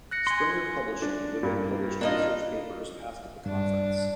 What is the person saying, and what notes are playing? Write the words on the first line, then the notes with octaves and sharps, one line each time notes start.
Springer Publishing would be published research papers passed at the conference.
F#6 A#6 C#7
G#5 C6
D4
G2 A#3
A#3 D4 D#4 F4 D#5
G2 D4